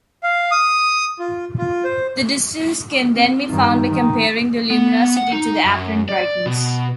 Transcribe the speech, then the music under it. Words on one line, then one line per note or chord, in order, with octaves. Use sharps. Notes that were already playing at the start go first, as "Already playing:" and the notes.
The distance can then be found by comparing the luminosity to the apparent brightness.
F5
D#6
F4
F4
C5
C4
G2 D#3 D#4
D#3
B3
F#5
D#4
F#2
D5
B2